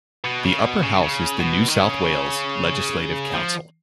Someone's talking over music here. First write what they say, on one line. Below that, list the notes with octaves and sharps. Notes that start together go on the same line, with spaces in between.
The upper house is the New South Wales Legislative Council.
B2
C#3
B2
C#3
C#3
B2
D#3
C#3
F3